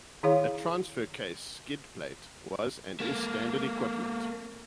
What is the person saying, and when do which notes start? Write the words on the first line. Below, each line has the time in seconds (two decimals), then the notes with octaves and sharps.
A transfer case skid plate was and is standard equipment.
0.23 D#3 E4 G#4 C#5 F5
3.00 A3 A#3